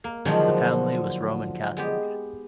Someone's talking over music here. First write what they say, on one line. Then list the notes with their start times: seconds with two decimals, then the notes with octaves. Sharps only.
The family was Roman Catholic.
0.04 A#3
0.25 D3 D#3 F3 F#3 G#3 C#5
1.77 G#3 B3 G4